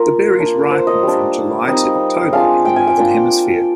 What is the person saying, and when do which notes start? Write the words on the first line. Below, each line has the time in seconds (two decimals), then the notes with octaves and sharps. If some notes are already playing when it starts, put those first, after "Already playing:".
The berries ripen from July to October in the Northern Hemisphere.
Already playing: A#3 F4 A#4
0.38 A#3 D4 F4
0.71 C5
0.87 D#5
1.03 G3 A#3 D4
1.67 G3 C4 D#4 D#5
2.33 G#3 D4 F4 F5
2.65 G5
2.76 G#5
2.87 G5
2.97 A#3 D4 F4